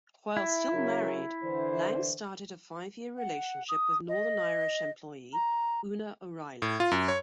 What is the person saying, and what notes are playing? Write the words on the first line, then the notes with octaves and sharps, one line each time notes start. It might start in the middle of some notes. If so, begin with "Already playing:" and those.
While still married, Lange started a five-year relationship with Northern Irish employee Oonagh O'Reilly.
E4
C#3 F#3 A#4
D3 E3 C5
F#5
D#6
D#5
A#5
A2
F4
F#2
C#5